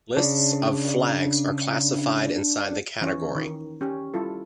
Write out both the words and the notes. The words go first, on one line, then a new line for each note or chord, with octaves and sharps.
Lists of Flags are classified inside the category.
C#3 D4
E3 C#4 C#5
D#3
C#4 G4
G3 E4 F4 A4